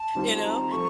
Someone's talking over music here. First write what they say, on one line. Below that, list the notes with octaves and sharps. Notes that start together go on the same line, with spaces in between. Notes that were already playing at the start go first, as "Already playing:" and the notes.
you know,
Already playing: A5
D#3 G3 C4 F4
A#5
F3 A3 C#6